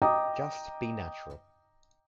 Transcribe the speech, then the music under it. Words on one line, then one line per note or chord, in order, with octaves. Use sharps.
Just be natural.
D#5 G5 A#5 D6 D#6